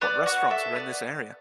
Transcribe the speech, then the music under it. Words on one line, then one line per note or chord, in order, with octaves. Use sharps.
What restaurants are in this area?
B3 D5
F#4 F#5
A4 E5
B3 D5